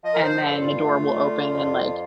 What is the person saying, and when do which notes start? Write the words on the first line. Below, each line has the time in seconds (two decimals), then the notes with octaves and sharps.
And then the door will open, and, like,
0.04 F3 D#5
0.14 A#4
0.22 C5
0.41 G2 A4
0.60 F4
0.79 A3
1.17 D3
1.55 F2